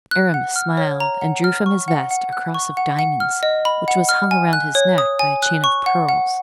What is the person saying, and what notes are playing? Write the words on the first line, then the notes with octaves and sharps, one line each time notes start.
Aramis smiled and drew from his vest a cross of diamonds, which was hung around his neck by a chain of pearls.
F#6
F#5
F6
C#5
A#5
F#5
F6
C#6
F#5
F#5
F#6
C#6
F#5
F#5
F6
D#5
B5
F#5
F6
G#5
F#6
C#5
D#6
G#5
F#6
C#6
F#5
F#5